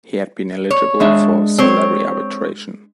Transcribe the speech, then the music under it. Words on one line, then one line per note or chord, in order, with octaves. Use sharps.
He had been eligible for salary arbitration.
C#5
G#3 D4 E5
C4 C#5